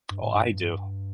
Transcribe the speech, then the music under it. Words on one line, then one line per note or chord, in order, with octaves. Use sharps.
Oh, I do.
G2
A2
G2